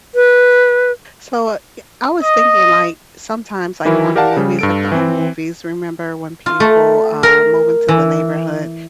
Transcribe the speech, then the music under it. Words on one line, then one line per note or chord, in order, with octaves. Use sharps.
So, I yeah, I was thinking, like, sometimes, like, on the movies, like the old movies, remember when people, uh, move into the neighborhood,
B4
D#5
D#3 E3 F#3 E4 A#4
G4 A#4 D5 F5 F#5 A5
C#3 G3
G2 A4 D7
E3 C4
F4
A3
A#4
E3